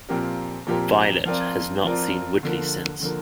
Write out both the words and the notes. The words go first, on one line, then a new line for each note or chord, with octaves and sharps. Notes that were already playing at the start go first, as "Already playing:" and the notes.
Violet has not seen Woodley since.
A#2 F3 C4 G4 A#4
A#2 F3 C4 G4 A#4
F3 C4 F4 A#4 D5
F3 C4 F4 A#4 D5
D3 F3 A#3
D3 F3 A#3